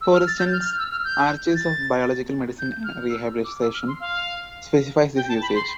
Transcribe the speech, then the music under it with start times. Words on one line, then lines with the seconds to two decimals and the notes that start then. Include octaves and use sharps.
For instance, "Archives of biological Medicine and Rehabilitation" specifies this usage.
0.01 E6
0.14 F6
0.27 A6
0.40 G6
0.53 F6
0.65 F6
0.79 E6
0.91 F6
1.05 G6
1.55 A6
2.59 G6
2.84 F6
3.10 E6
3.44 D6
3.61 E6
3.74 F6
3.88 C6
4.00 F5
5.16 G5
5.29 A5
5.42 B5
5.55 C6